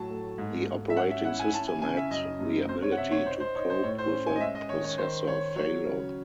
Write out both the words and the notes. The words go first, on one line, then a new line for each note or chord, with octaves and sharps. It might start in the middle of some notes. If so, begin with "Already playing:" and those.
The operating system had the ability to cope with a processor failure.
Already playing: A2 F#3 A5
A3
G#2
G#2
E5
C#4 F#5
E5
E4 F#5
G#5
C#4 A5
G#5
C#3 G#5
E5
F#2 D#5
F#2
C4 C5
C#5
F#5
C3 E5
C#5
D#4 C5
C5
D#4 C#5
C5
A2 C#5
C5
C#4
G#5
D#5
G#3 E5
D#5
D#3 C#5
C#5
D#3 C5
D#3 C#5
F#3 C#5
C#3